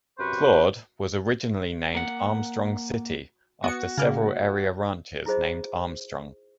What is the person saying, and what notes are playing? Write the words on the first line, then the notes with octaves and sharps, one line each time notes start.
Claude was originally named Armstrong City after several area ranches named Armstrong.
F#2 C3 B4 C5 C#6
A#3 F#5
B3 F#4 C#7
C#3 A#3
E4 F4 G#4 C5 D#5